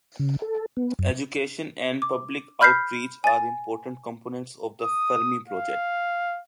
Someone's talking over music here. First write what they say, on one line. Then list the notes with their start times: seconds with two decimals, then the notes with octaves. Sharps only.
Education and public outreach are important components of the Fermi project.
0.19 C#3
0.42 A4
0.77 B3
0.99 F#2
2.02 D6
2.61 B5 F6 G6 B6 C7
3.24 G#5 A6
4.82 D#6
5.48 F5